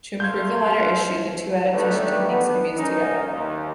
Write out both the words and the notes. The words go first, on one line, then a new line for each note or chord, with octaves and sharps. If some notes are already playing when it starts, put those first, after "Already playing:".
To improve the latter issue, the two adaptation techniques can be used together.
A3 F5 C6 G6 G#6
D#3 A3 B3 D4 G4 B4
B3 D4
C#4 D#4 A#4
D#2